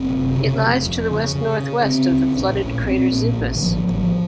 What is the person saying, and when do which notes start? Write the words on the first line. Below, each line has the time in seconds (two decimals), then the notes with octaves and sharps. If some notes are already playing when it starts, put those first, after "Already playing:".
It lies to the west-northwest of the flooded crater Zupus.
Already playing: F#1 C4
0.10 C3
0.34 C#3
0.60 F1
0.86 F2
1.11 C#3
1.35 C#3
1.60 C#3
1.85 C#3 C4
2.11 C#2
2.36 A#1 C#4
2.62 A#1
2.86 A#1 C4
3.11 A#2 A#3
3.37 A1
3.55 D#3
3.62 A1 F3
3.87 A1 F3
3.95 F#3
4.03 F3